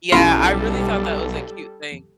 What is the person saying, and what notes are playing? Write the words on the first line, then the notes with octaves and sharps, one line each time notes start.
Yeah, I really thought that was a cute thing.
B1 G3 C#4 E4 F4 A4 B5